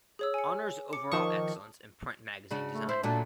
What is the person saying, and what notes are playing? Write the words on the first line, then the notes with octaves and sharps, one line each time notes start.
Honors overall excellence in print magazine design.
G#4 C#5 E6
G#5 C#7
D6 C#7
D#3 F3 A5 C#6 D#6
C#3 D4 F#4
A3
E4 C5
A#2 F#3 A3 D4